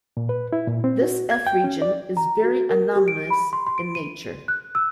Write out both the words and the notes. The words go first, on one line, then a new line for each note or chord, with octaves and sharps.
This F region is very anomalous in nature.
A#2
B4
E4
A#2
C4
F#4
G#6
G5
C#4
D5
A#5
F#4
A#4
G4
D7
B5
C6
C6
D7
D#7
F#6
E6